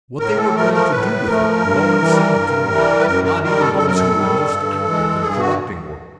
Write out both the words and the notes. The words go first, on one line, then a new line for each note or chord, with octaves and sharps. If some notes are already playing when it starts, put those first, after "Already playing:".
What they were going to do with it no one seemed to know, not even those who were most active in collecting work.
A2 A#4
A4
F3 A3 A#4
A#4
A2 B4
F3 A3 A#4
G2
E3 G3
G2
E3 G3
B4
F#2 A#4
A#4
D#3 G3 A#4
A4
F#2 A4
A#4
A4
D#3 G3
G2
E3 G#3
G2 G#4
F#4